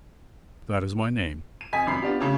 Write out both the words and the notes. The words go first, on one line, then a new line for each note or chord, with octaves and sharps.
"That is my name."
D#7
F2 D#5 G#5 B6
G#1 F#2 B5 C7
B3 D4 F4 G4
A2 C#3 C#4 G4